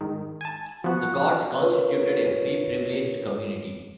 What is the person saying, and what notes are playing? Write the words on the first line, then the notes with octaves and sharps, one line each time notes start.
The guards constituted a free, privileged community.
G#2 D#3
G#5 A5
F3 B3 F#4 F#5
F4 A#4 B4 C#5